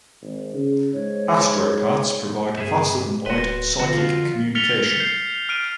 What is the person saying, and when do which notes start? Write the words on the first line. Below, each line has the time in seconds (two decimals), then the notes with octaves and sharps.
Astropaths provide faster-than-light psychic communication.
0.22 G#1
0.54 C#3 G#4
0.93 G#2 C#5
2.57 G2 B2 G#4 E5
3.26 D1 F#4 B4 C6
3.79 D3 F3 C4 F4 F#4
4.55 F6 A6 B6 C#7 F7 G7
4.85 B6 C#7
5.00 G6 C7
5.49 F6 D7 D#7